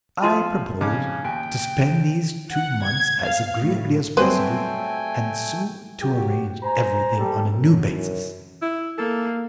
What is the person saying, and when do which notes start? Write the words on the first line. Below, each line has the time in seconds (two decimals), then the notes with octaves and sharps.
I propose to spend these two months as agreeably as possible, and so to arrange everything on a new basis.
0.22 F3 F4 A5 C6 D#6
0.81 F2 C#3 C#4 D6
1.24 D#2 G5 G#5
2.50 F#5
2.84 G#6
3.24 F5
3.62 A2
4.17 F#3 G3 A3 C4 B4 C5 G5 G#5
6.02 F#3 F#4 G4
6.63 C5 G#5 A#5
7.17 G3 G4 A4
7.52 F#2
8.62 E4
8.98 A#3 A4